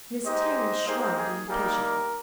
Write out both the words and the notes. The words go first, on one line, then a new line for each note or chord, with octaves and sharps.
Miss Terry shrugged impatiently.
G#3 D#4 G4 C5 D#5
A#3 D#4 G4 G#4 C5
G#4
G3 A#3 D#4 G4 A#4